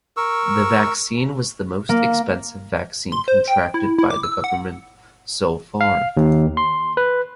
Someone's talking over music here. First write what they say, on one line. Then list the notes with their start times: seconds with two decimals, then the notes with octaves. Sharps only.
The vaccine was the most expensive vaccine contracted by the government so far.
0.17 A#4 C#6 E6
1.89 A#3
3.12 C6
3.28 C5
3.48 G5
3.74 E4
3.98 E4
4.10 D6
4.23 E6
4.44 F#5
5.81 F5
6.17 D#2
6.57 C6
6.97 B4